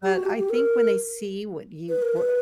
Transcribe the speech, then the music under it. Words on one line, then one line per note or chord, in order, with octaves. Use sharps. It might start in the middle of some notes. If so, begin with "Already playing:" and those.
But I think when they see what you we
G4
F#4
G4
G4
A#4
B4
A#4
B4